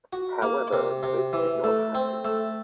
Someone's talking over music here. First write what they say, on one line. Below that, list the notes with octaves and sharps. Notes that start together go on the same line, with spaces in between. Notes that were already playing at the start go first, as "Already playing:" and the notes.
However, this did not happen.
F#4
A#3
C3
C3
E3
A3
C4
A3